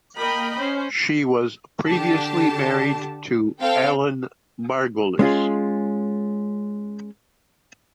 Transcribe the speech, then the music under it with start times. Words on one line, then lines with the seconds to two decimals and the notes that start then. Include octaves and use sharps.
She was previously married to Allan Margolis.
0.17 A#3 A#4 D#5 G5 B5
0.57 C#4 C5
1.88 D3 G4 A5
3.61 C4 A4 F5 G5
5.19 G#3 C#4 F4 G#4